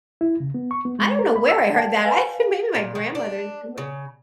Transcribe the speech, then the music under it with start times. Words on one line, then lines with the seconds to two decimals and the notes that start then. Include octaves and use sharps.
I don't know where I heard that, I think maybe my grandmother is somewhere
0.21 E4
0.40 C#3
0.54 B3
0.71 C#6
0.85 B3
0.99 G#3
1.19 A#4
1.36 B5
1.49 E6
1.75 D5 G5 A5
2.04 B4 F5 G#5
2.75 A#2
2.95 D#3
3.15 D4
3.78 C#3